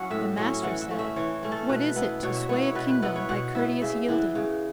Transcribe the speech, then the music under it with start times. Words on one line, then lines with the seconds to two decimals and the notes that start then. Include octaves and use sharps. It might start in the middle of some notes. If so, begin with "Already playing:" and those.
The Master said, What is it to sway a kingdom by courteous yielding?
Already playing: F#3 C#4 E4 F#5
0.10 A2 E5
0.37 F#3 C#4 E4 C#5
0.63 E3 F#5
0.81 E5
0.91 A3 C#4
0.99 E5
1.16 E3 C#5
1.43 A3 C#4
1.52 A4
1.69 B2 B4
1.96 B3 E4
2.23 B2 C#5
2.36 E5
2.49 B3 E4 C#5
2.62 C#5
2.75 B2 B4
2.89 B4
3.02 B3 E4 B4
3.16 C#5
3.29 B2 F#5
3.55 B3 E4 E5
3.82 C#3 E5
4.08 E3 B3 E4
4.35 C#3